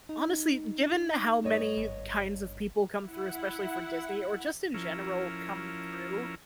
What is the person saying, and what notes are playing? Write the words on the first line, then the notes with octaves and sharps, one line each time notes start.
Honestly, given how many kinds of people come through, especially for Disney or just in general come through,
D#4
G2 C#5 D#5
G#1
E4 F#5
F3 C#4 E4 A#4